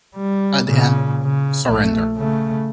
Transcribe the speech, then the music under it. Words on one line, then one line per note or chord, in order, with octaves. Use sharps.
At the end: surrender.
G3
A#2 C#3
C#3
A#1 A3
C#3 A3